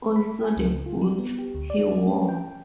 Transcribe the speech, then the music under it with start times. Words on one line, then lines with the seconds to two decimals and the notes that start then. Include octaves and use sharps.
Also the boots he wore.
0.16 B5
0.44 G#5
0.57 C#2
0.86 F4
1.01 G3
1.19 B3
1.38 G4
1.55 D2
1.70 D5
1.92 A3
2.07 C#4
2.28 G5